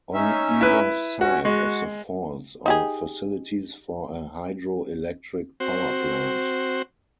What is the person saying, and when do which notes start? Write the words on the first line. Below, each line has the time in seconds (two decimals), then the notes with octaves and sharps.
On either side of the falls are facilities for a hydroelectric power plant.
0.14 C#4 D#4 E5
0.61 E4 B4
1.21 C#4 F#4
1.45 G#3 F#4 C#6
2.66 D#4 G4 G#4
5.60 C4 F#4 C5